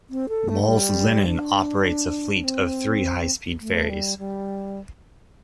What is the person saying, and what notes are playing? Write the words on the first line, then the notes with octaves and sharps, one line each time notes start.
Mols-Linen operates a fleet of three high speed ferries.
C4
A4
A3
A3
G3
D4
C4
A3
G3
G3